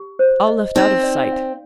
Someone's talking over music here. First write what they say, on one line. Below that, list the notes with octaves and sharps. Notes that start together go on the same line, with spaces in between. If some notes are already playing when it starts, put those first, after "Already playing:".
All left out of sight!
Already playing: G4
C5
D#5
C4 D#4
D5
F5